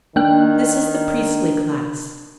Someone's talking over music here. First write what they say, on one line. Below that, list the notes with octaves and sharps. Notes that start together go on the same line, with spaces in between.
This is the priestly class.
D#3 A#3 D4 G5 F#6